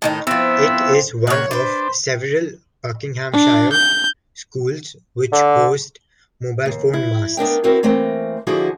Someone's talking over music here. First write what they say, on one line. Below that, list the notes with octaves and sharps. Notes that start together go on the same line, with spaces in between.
It is one of several Buckinghamshire schools which host mobile phone masts.
A2 D#3 D#4
F3 B3 C4 E4 E5
A#2 C#5 E5 F#5
D4 B4 C5
D4
G6
D3
D#2
E4
B3 D4 A#4 G5
C4 E4 F#4 A#4 B4
E3 A3 A#3 C4
D3 F3 D4 E4 F#4 G#4